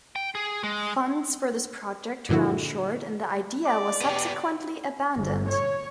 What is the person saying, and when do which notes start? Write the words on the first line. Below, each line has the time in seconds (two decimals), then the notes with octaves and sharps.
Funds for this project ran short and the idea was subsequently abandoned.
0.16 G5
0.35 G#4
0.64 G#3
2.29 G2 A#2 D3 F3 E4 F#4
3.65 D5 D6
4.01 B3 G4
5.16 G1
5.50 C#5